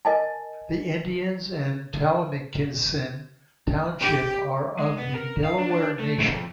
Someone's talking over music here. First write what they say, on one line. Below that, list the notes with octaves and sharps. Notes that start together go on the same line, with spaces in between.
The Indians of Towamencin Township are of the Delaware Nation.
A#4 D#5 G#5 A5
G4
G#3
B3
A#4
F5
D4
D4
A3
G#2
F2